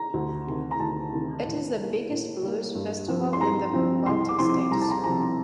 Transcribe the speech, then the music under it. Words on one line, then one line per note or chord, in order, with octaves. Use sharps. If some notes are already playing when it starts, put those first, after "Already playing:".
It is the biggest blues festival in the Baltic states.
Already playing: A#5
D2
C3 D#3
A#5
D2 A5
C3 D#3
A2
G3 A#3
A2
G3 A#3
G2
F3 C4
C6
G2 A#5
F3 C4
C2 C6
D6
C3 F3 C4 C6
C2 A#5
A5
A#5
C3 F3 C4 A#5